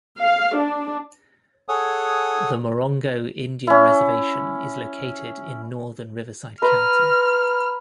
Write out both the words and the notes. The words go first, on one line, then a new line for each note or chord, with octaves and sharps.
The Morongo Indian Reservation is located in northern Riverside County.
F5
D4
G#4 A4 C#5 F#5 G#5 D#6
C#4 E4
B4 A#5 C6 F6